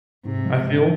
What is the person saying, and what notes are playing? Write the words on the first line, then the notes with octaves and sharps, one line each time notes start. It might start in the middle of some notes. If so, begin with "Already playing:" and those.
I feel.
G#2 C3
F3 G#3
G#2